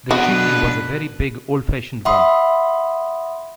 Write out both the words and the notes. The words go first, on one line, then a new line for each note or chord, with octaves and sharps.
The chimney was a very big old-fashioned one.
B2 B3 D4 F#4 B4 B5
E5 F#5 B5 C6 D#6